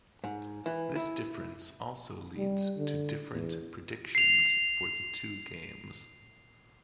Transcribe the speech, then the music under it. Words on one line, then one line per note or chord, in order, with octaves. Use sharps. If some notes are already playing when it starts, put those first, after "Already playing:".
This difference also leads to different predictions for the two games.
G#2
E3
E4
G3
D3
E2
C7 F7